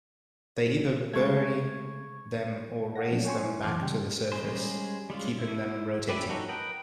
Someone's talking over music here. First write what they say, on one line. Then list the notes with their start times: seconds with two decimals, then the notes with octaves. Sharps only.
They either bury them or raise them back to the surface, keeping them rotating.
1.13 C#3 G#3 A3 C#6 G#6
2.95 F5 F#5 A#6
3.10 F3 F#3 A3 B3 C#4 D4
3.25 C#5 G5 G#5 C6 C#6
3.44 E4
3.63 F#2 E3 C6 D6 F6
3.80 C#3 G3 G5
4.32 G3 G#3 C#4 G#4 C5
5.10 G3 G#3 C#4 F4
5.39 E4
6.09 C#4 G4 B4 D5 E5
6.29 D#4 F#4 A4 C#5
6.48 A#4 B4 D#5 F#5 G5